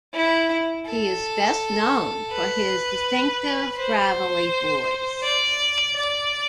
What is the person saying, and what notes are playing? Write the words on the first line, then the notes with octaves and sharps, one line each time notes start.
He is best known for his distinctive gravelly voice.
E4
A4
B4
C5
D5
D5